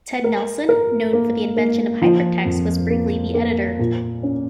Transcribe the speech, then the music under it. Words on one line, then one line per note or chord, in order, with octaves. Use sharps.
Ted Nelson, known for the invention of hypertext, was briefly the editor.
A#4
A#4
A#3
A#3
F3
F2
A#3
A#3
A#2
C#4